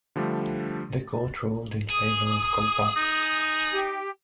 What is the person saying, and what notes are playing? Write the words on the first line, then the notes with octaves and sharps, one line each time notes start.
The Court ruled in favour of Kolpak.
D3 F3 G3 A3 D4
G#4 D#6
D#4
G4